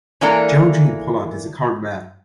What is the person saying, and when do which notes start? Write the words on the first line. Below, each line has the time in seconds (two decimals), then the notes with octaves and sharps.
Gerald Gene Pollard is the current mayor.
0.21 E3 G#3 A#3 D4 A4 A#4